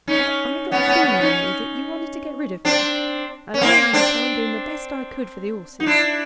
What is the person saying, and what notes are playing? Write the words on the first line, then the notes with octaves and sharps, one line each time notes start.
But I got a feeling on me that you wanted to get rid of me, and I all the time doing the best I could for the 'orses.
C#4 D#4
B3 C#4
B3 C#4
B3 C#4
C#4 D#4
C4 D4
C#4
A#3 C4
C4 D4
D#4
D4 E4